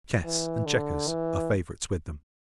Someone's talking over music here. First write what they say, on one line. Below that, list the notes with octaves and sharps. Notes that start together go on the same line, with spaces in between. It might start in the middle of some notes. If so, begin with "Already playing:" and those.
Chess and checkers are favorites with them.
E3
D3
E3